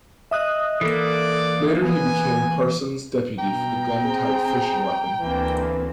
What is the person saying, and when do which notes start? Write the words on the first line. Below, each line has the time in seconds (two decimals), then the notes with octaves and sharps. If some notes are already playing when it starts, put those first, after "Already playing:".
Later he became Parsons' deputy for the gun-type fission weapon.
0.31 D#5 E5 D#6 F#6
0.81 E3 A#3 A4 D5
1.83 B3 G#5
3.38 B2 G5 A#5
4.05 C4 G#4
5.20 D2 E3 A#3 C4